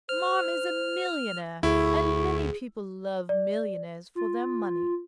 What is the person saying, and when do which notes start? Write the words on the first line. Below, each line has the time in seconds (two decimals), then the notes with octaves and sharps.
Marmy's a millionaire, and many people love millionaires for their money.
0.09 C5 F6
1.63 D2 E4 G#4 C#6
3.29 D5
4.15 F4